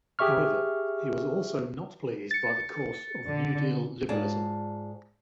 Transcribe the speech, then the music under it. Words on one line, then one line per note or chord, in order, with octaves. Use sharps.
However, he was also not pleased by the course of New Deal liberalism.
G4 G#4 E5 C#6 F6
A6 C#7
D3
G#2 F4 G#4 D5 A5